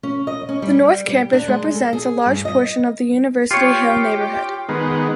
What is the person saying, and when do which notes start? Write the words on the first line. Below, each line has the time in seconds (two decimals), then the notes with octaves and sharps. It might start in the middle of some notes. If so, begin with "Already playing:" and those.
The North Campus represents a large portion of the University Hill neighborhood.
0.03 C#4
0.27 D#5
0.49 C#4
0.62 G3
1.08 G4
1.33 D4
1.48 G#3
1.75 A4
1.93 G#4
2.26 G2
2.45 D#5
3.51 F4 G4 C#5
4.69 D#3 G#3 B3